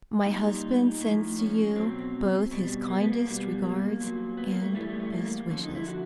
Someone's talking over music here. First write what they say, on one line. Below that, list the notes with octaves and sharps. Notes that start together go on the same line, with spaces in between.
My husband sends to you both his kindest regards and best wishes.
A#2 G3 D#4
A2 F3
C#4
B2 F#3 C4
B2 G3
A#3
B3
A#3
B2 G3
A#3
A#2 F#3
B3
A#3
A3
A2 E3 G3 A3
A3
A3
A#3
F2 D3 F3 C#4
D#4
E4
F#4